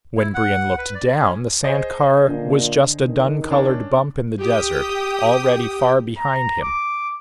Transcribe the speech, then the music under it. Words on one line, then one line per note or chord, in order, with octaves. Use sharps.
When Brion looked down, the sand car was just a dun-colored bump in the desert, already far behind him.
E4
F#5
B4
D5
C#4
G#4 C5 D#5
A#2 D3
D#3
C#4 D4 A5
G4 G5 D#6
A#5
D6